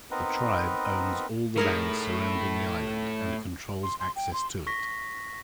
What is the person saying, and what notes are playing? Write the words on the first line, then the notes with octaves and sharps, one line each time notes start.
The tribe owns all the land surrounding the island and controls access to it.
B3 C4 D#4 A#4 B4
A2 D#4 G#4 A#4
C6
C6
G5
C6
C#6 A#6 B6